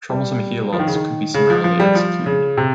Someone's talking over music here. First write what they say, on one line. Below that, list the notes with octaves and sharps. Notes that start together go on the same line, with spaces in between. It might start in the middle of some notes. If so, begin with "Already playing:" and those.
Troublesome helots could be summarily executed.
G3
F3
D#3
C#3
D#3
C#3
F3
F3
G3
F3
C#3
C3